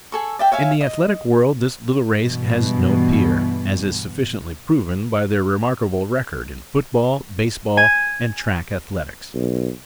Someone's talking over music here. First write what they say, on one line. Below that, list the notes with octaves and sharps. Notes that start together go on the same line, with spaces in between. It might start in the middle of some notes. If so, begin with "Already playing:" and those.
In the athletic world this little race has no peer, as is sufficiently proven by their remarkable record in football, baseball, and track athletics.
G#4 A4 C#6
D5 E5 G5
C#5 E5 F5 G#5
D#5
G2 B2 E3
G#5
B1